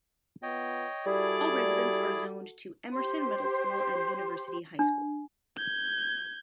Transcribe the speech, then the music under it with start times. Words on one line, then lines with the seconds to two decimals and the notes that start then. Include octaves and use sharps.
All residents are zoned to Emerson Middle School and University High School.
0.43 B3 F4 C#5 D#5 G5
1.06 G3 E4 F#4 G#4 A4 D5
2.92 G4 C5 C6
4.79 D4
5.57 G6 G#6